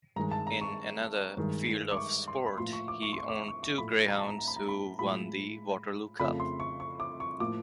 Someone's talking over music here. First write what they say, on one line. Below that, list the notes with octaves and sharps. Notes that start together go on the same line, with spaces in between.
In another field of sport, he owned two greyhounds who won the Waterloo Cup.
G2 D#3 G#3 A#5
A5
A#5
C#6
G2 D#3 G#3
D6
C#6
C6
B5
A2 F3 A#3 C6
C#6
D6
C#6
C6
C#6
D6
C#6
C#6
C#6
A2 F3 A3 B5
A#5
A5
A#5
A#5
B5
A#5
B5
A2 F3 G#3 B5
F2 C#3 F3 A3 B5
C6
C#6
C#6
D6
C#6
A2 F3 A#3 D6